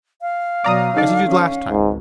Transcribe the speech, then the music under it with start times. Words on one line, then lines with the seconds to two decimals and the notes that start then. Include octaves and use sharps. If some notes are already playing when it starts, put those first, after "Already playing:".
As you did last time!
0.22 F5
0.64 B2 F#3 D5 A#5 D#6
0.97 D3 D#4 A4 D5
1.27 C#4
1.69 G#1 C#2 G#2